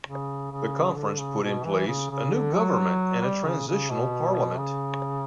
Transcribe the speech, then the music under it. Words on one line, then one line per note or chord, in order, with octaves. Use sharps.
The conference put in place a new government and a transitional parliament.
C#3
C#3
D3
C#3
B2
E3
C#3
C#3
D3
F#3
G3
C#3
C#3
B2
C#3